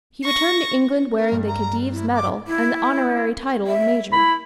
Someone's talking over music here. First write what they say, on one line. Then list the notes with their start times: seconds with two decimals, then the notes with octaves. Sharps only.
He returned to England wearing the Khedive's medal and the honorary title of Major.
0.25 C#6 A#6
1.17 A#4
1.32 G2
1.48 A#5
1.92 E4
2.14 D6
2.47 E4
3.67 E5
4.13 E4 B5